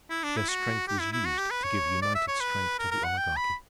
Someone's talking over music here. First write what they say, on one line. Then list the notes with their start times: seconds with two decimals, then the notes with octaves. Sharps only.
Their strength was used to give united strength to the Oligarchy.
0.10 E4
0.24 D4
0.37 E4
0.48 F#4
0.88 G4
1.00 E4
1.13 E4
1.25 F#4
1.38 G4
1.51 B4
1.64 C#5
2.02 D5
2.15 E5
2.28 C#5
2.41 B4
2.79 A#4
2.91 A#4
3.04 F#5
3.18 G5
3.36 B5